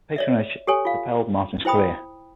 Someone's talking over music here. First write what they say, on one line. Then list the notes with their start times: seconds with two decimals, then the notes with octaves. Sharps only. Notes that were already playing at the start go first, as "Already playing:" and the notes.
Patronage propelled Martin's career.
0.16 C#5 D5 E5
0.67 G4 A4 C#5 G#5
0.85 F4 F5
1.65 E4 C5 G5 B5 D#6